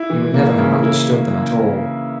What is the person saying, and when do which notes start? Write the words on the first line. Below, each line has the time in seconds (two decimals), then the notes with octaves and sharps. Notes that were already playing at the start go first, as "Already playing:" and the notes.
He would never have understood them at all.
Already playing: E4
0.10 E3
0.34 A#3
0.58 C#3
0.83 E4